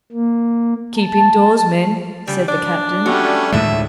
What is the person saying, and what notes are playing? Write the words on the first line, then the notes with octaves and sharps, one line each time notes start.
"Keep indoors, men," said the captain.
A#3
A5
C#3 G3
D4 D5
G3 A3 C#4 F#4
D2 A2 D#3 G#3 A3 E5